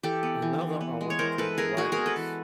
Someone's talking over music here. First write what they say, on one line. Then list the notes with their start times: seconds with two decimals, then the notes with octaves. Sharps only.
Another hour to write it.
0.03 E3 G4 A4
0.23 B3
0.42 E3
0.61 E3
0.81 B3
1.01 G#3
1.10 C#5
1.19 E3 A#4 C5
1.38 G#3 A4 B4
1.58 B3 G#4 A#4
1.77 G#3 F#4 G#4
1.92 B3 G#4 A#4
2.06 A4 B4
2.16 E3